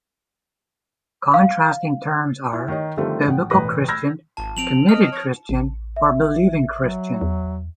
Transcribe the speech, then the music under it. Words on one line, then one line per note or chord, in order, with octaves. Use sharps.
Contrasting terms are "biblical Christian", "committed Christian", or "believing Christian".
F5
E4
D#3 D#4 C#5 D#5
D3 D#3 F3 G3 A3 C4
A1 F#5 G5
E1 A1 B4 A#6
B5 E6 F6 G6 G#6 A#6
G#1 F4 G#5 A5
F3 F#3 C4 D7 F7 F#7
D#5 F6
C#5 D#6 A#6
A1
E5
F#3
E2